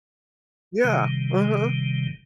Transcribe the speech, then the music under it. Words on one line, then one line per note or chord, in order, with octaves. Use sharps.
Yeah. Uh-huh.
C3 D#3 G3